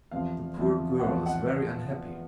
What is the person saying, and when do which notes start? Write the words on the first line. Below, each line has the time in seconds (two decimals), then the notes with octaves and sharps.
The poor girl is very unhappy.
0.11 E2 C3 F3 F5
0.58 E2 C3 F3
1.00 F#5
1.03 E2 C3 F3 F5
1.26 F#5